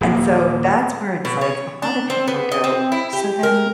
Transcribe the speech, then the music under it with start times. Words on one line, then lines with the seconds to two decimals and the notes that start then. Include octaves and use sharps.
and so that's where it's like, a lotta people go, "So then,
0.01 D#1 A#3
1.25 B2
1.41 C#5
1.82 D4
2.10 C4
2.28 B3
2.52 D#5
2.64 C4
2.92 E4
3.13 G4
3.43 A#4